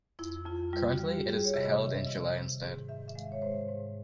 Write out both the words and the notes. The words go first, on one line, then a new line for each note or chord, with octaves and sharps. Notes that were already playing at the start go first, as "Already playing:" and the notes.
Currently, it is held in July instead.
F2 E4
F2 F4
G3 F4
F#4
G3
G4
G3 G#4
C#5
C3 E5
D#5
D#3
C3
D#3
G#2
D#3 E5
E5
G#3 F5
C#5
G#2 C5
G#2